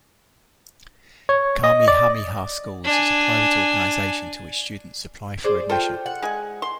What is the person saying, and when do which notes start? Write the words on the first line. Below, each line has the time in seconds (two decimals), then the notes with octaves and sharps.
Kamehameha Schools is a private organization to which students apply for admission.
1.29 C#5
1.64 D#5
1.88 D5
2.84 D4 G#5
5.44 G#4 C5 D5
5.70 F4 A4 C5 G5
6.06 F#5
6.22 G#3 G#5
6.62 C6